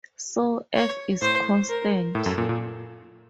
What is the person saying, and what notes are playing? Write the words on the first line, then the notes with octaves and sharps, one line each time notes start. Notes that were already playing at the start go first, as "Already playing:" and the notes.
So, "f" is constant.
C#5
A2 C5
A#4
A2 A4
F#2
A#2
A#2